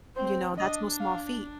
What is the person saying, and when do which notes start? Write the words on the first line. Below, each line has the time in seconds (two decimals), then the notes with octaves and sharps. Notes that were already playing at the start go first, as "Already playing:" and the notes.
you know, that's no small feat.
0.16 C4 C5
0.57 D4 D#5
1.01 F5